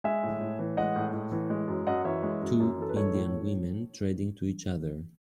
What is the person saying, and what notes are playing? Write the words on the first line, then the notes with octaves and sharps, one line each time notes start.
Two Indian women treading to each other.
G#3 E5 G#5
A2
A2
E3
G#3 D#5 F#5
A2
A2
E3
G#3
F#2
F#2 D#5 F#5
E3 C#5 E5
G#3
F#2
F#2
E3 A4
B4
G#3 A4 C#5
A2
A2